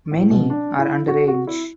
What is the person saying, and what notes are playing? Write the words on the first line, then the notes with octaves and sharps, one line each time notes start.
Many are underage.
A2
B2
D4
E4
F#4
F#4
E4